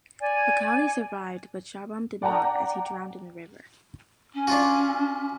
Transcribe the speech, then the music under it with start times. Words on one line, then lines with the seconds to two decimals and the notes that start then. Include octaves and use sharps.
Akaili survived but Shabram did not as he drowned in the river.
0.21 D5 G#5
2.22 D5 F#5 G5 A5 A#5
4.33 C#4
4.47 D4 F4 F#4